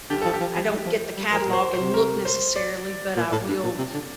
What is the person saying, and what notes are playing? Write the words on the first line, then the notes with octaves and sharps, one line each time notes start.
uh, I don't get the catalog and look necessarily, but I will
D3 G4
F3 A4
G4
F3
F3
G3
F3
G3
F3 A#4
A#2
C5
C5
C3
A#4
C5
D5
A#2
A2
G2
A#2
C3
D3